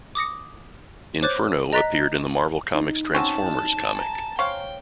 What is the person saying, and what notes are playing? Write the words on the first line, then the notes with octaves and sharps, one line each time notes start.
Inferno appeared in the Marvel Comics Transformers comic.
D6 D#6 A#6 C#7
C5 C#5 D6 F#6 G6 A6
D#5 A#5 F#6 A6 B6
D#4
F#3 C4 C#4 A5
G#5 A#5
C5 C#5 F5 G5